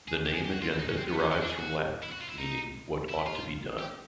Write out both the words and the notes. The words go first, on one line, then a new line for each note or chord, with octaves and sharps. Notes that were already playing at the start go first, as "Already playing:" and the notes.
The name Agenda derives from Latin meaning "what ought to be done".
G#4
G4
G#4
G4
F#4
F4
E4
D#4
C#4
C4
B3
C#4
C#4
D4
G#4
F#4
E4
F#4
F4
E4
D#4
E4
F4
G4